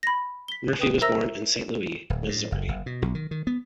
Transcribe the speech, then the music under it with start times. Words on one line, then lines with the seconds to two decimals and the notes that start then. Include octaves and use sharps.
Murphy was born in Saint Louis, Missouri.
0.03 B5 A#6
0.48 B6 G7
0.79 B4 G5 D#6
1.01 A#4 C5 E5 A#5 E6 A#6
2.10 D1
2.29 A2
2.52 F#1
2.68 F#1
2.86 B2
3.02 B1
3.15 D#3
3.31 D#3
3.47 B3